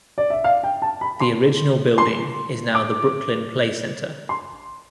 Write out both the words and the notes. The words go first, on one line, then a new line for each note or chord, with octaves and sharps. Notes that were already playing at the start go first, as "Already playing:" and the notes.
The original building is now the Brooklyn Playcentre.
D5
E5
F5
G5
A5
B5
C6
C6
D6
C6